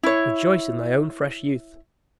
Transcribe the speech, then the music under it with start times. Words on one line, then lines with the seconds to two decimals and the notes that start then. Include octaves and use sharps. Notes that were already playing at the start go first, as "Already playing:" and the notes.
"Rejoice in thy own fresh youth!"
0.03 E4 C#5